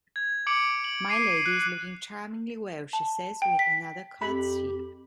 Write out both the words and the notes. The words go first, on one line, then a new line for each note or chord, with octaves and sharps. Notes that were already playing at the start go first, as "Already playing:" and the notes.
"My Lady is looking charmingly well," she says with another curtsy.
G#6
D6 C#7 D7 F#7
F#7
D6 C7 D#7
F#6
A5
G5
B6
F2 G4 B5